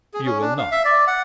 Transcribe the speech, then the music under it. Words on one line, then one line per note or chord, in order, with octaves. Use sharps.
"You will not."
G#4
C#4
D4
F5
E5
D5
F#5